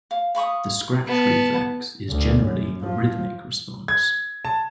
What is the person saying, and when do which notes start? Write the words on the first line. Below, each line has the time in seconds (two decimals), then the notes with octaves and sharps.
The scratch reflex is generally a rhythmic response.
0.11 F5
0.35 F5 B5 C#6 D#6
1.07 B3 A5
2.09 D2
2.44 F#2
2.82 F3
3.88 G#6
4.45 A5